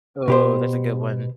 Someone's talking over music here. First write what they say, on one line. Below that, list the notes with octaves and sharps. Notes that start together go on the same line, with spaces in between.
Oh, that's a good one.
B2 G4 C5